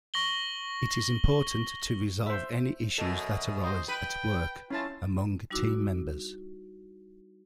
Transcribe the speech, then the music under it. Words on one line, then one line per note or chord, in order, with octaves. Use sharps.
It is important to resolve any issues that arise at work among team members.
C#6 A#6 F#7 G7
C5 E5
F#2 B2 A4
C5 D#5
B4 G5 B5
C#4 E4 F4 A5
G3 D#4 E4 F#4 D6 E6